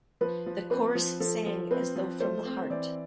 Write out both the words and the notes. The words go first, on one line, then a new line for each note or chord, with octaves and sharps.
The chorus sang as though from the heart.
F3 B4
F3
C4 B4
F3
F3 A4
F3
C4 B4
F3
A3 C5
C4
E3 D5